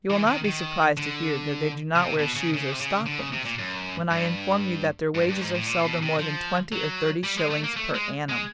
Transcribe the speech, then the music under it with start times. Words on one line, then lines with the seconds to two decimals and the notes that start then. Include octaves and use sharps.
You will not be surprised to hear that they do not wear shoes or stockings, when I inform you that their wages are seldom more than twenty or thirty shillings per annum.
0.10 E3
0.27 D#3
0.45 D#3
0.97 D3
1.96 C#3
2.02 C3
2.19 B2
2.36 C#3
2.54 C#3
2.72 C3
2.81 C#3
3.06 D3
3.19 C#3
3.32 C3
3.45 A#2
3.59 F#2
4.11 G2
5.15 G2
5.29 G2
5.41 G#2
5.55 A2
5.67 A#2
5.85 B2
6.03 C3
6.19 F3
6.72 F#3
7.24 G3
7.37 G#3
7.50 A3
7.64 A#3
7.76 A3
7.94 G#3
8.29 G#3